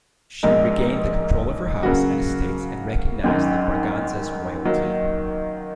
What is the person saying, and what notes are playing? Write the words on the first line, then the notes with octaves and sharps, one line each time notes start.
She regained the control of her House and estates and recognised the Braganzas royalty.
A#1 G#2 G#3 D#4 A#4
C#3 F#3 A#3 F#4
G#1 F#2 D#3
D#3 F#3 A#3